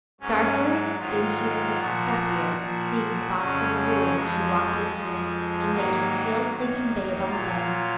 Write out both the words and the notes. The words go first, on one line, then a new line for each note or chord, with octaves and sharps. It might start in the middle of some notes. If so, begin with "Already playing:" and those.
Darker, dingier, stuffier, seemed the box of a room, as she walked into it and laid her still sleeping babe on the bed.
G#2 F#3 C#4
G#2 D#3 F#3 F4
A#2 F3 F#4
A#2 F3
F2 C#3 F#3 C#4
C#4
F2 F3 G#3
F2 F3
G#2 D#3 F#3 A#3
F#2 D#3 F#3
A#2 F#3 F4